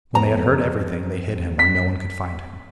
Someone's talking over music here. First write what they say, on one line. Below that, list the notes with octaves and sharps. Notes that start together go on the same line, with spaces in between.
When they had heard everything, they hid him where no one could find him.
F2 B3 A#5
B6